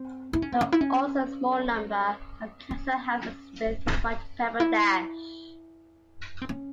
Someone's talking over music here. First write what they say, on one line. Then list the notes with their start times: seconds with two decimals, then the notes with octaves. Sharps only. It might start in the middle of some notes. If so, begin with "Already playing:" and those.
There are also a small number of council houses with white pebbledash.
Already playing: C4
0.33 E4
0.42 C#4
0.52 C4
0.61 C#4
0.72 E4
0.81 C#4
2.71 C#4
4.60 E4
6.42 C4
6.49 C#4